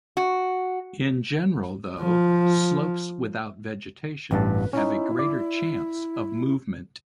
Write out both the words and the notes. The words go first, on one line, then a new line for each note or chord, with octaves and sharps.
In general, though, slopes without vegetation have a greater chance of movement.
F#4
F3
A1 G2 B4 A5
C#4 D#4 E4
D5